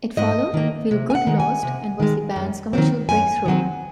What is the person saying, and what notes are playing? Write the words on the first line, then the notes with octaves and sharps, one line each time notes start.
It followed "Feel Good Lost", and was the band's commercial breakthrough.
G#2 D#5
D#3 A#3
C3
G#5
F#5
D#3 G#3
G#5
C3
D#3 G#3
F#2
D#3 F#3 C4
F#2 G#5
D#3 F#3 C4